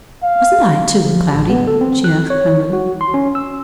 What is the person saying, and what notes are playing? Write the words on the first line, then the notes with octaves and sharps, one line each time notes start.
"Wasn't I, too, Cloudy?" she asked hungrily.
F5
F3
A1
B3
A4
C4
F#6
C#5
F#4
C6
C#4
E6